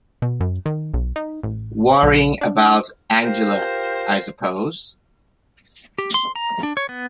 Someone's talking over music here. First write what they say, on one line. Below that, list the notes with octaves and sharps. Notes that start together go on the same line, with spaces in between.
Worrying about Angela, I suppose?
B2
F#2
D#3
B1
D#4
A1
B1
D4
F4 G4 A#4 C5
G4
C6
A#5
D4
C#5
B3